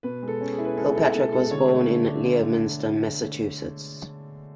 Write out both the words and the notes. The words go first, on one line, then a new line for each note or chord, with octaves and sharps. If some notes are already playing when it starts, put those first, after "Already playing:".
Kirkpatrick was born in Leominster, Massachusetts.
B2 B4
G#3
A4
C#4
G#4
E4
B4
G#3 A4
E4 A4
B2 A4
G#3 A4
D3 C#5
A3
D3
D4
D3